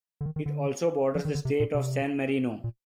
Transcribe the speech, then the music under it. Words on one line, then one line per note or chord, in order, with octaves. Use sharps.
It also borders the state of San Marino.
D3
D#3
D#3
D3
F3
D#3
D3
C3
A#2
C3
A#2